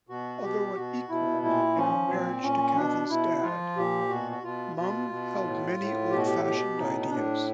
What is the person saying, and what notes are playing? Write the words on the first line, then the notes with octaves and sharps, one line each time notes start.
Although an equal in her marriage to Cathy's Dad, Mom held many old-fashioned ideas.
B2 F#4
B2 G4
B2 F#4
B2 E4
A#2 E4
F3 C#4
A#2 C4
A#2 C#4
B2 D4
B2 E4
F3 F4
A#2 G4
B2 F#4
F#4
B2 F4
B2 F4
B2
A2
A2
B2 G4
F#4
G4
B2 G4
A2 D#4
D#4
A2 D4